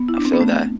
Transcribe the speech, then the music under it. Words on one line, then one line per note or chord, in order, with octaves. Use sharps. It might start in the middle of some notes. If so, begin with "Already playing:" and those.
I feel that.
Already playing: B3
E4
D4
C4
B3
A3